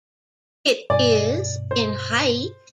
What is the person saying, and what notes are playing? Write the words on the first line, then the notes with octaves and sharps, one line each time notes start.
It is in height.
G2 B2 D5 G#5
C5